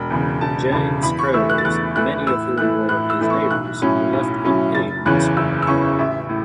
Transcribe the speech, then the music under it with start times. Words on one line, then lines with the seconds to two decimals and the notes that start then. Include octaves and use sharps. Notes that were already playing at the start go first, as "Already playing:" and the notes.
Jennings's creditors, many of whom were his neighbors, were left unpaid and disgruntled.
Already playing: E1 B5
0.10 E2 C#3
0.41 E1 A5
0.72 E2 C#3 A5
1.03 E2 B5
1.19 C#6
1.34 E3 A3 E4 E6
1.49 F#6
1.58 A6
1.65 E2 F#6
1.96 E3 A3 E4 F#6
2.27 A2 E6
2.57 E3 A3 E4 F#6
2.89 A2 F#6
3.10 E6
3.20 E3 A3 E4
3.30 C#6
3.50 B1 F#6
3.82 A2 F#3 C#4 E4
4.13 B1
4.43 A2 F#3 C#4 E4
4.75 F#1 A6
5.06 E2 C#3 E3 C#4 F#6
5.36 F#1 E6
5.62 E6
5.67 E2 C#3 E3 C#4 C#6
5.98 A1 E5
6.29 A2